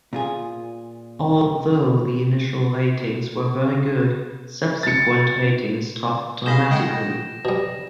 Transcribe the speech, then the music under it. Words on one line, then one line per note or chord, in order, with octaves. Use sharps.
Although the initial ratings were very good, subsequent ratings dropped dramatically.
A#2 F4 G#4
A6 C#7
G#4 F5 B5 G6 A#6 E7
G#3 D#5 F#5 G5
B2 G3